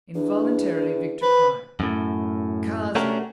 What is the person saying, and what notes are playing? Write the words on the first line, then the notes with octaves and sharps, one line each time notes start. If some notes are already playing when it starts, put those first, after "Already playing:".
Involuntarily Victor cried: "Karslake!"
E2 D4
B4 C5
F#2 A2
A3 C#4 D4 F#4 G4 A#4